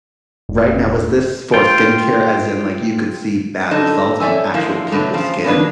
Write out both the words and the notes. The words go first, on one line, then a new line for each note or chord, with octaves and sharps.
Right now, was this for skincare as in, like, you could see bad results on actual people's skin?
E1
F4 G5
D3 D#4 A4 D#5
A4 C#5 D5 E5 G5 G#5
D3 F3 G#3 A#3 E4
B2 D3 F#3 A3
C#3 F3
B2 D#3 G3 A#3 D4 B4